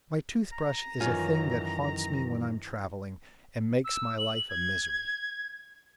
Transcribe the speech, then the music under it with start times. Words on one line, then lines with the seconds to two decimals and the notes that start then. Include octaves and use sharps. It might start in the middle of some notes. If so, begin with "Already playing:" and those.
My tooth-brush is a thing that haunts me when I'm travelling, and makes my life a misery.
0.52 A#5
1.00 F#2 D#3 E3 F4 C#5 G#5
3.84 E6
4.18 F#7
4.49 G#6